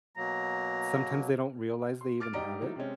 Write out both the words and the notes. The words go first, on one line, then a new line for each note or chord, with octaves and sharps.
sometimes they don't realize they even have it,
B2 F#3 A#3 A#5
C6
D6 F6 A6 D7
G#2 G4 D5 D#5 A#5 D7
E3 F#3 D#4
C3 G#3 C4 C#4